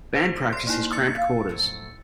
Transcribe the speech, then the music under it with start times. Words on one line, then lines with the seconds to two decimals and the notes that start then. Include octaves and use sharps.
Band practice is cramped quarters.
0.16 C5
0.53 G3 C6 C7
0.67 A#3 D#4 E4
0.92 E3 E6 A6 C#7
1.15 F5
1.49 A2 F3 F#3